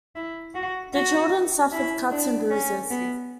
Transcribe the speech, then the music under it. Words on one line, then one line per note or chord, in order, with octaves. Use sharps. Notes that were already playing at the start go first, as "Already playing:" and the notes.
The children suffered cuts and bruises.
E4
F#4
F#4
E4
D4
C#4
B3